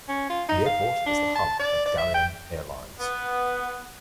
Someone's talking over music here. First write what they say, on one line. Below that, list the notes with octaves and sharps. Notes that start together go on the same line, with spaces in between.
The airport is the hub of Dalian Airlines.
C#4
F4
D#4
F5
D4
A5
D5
D5
E5
G5
B3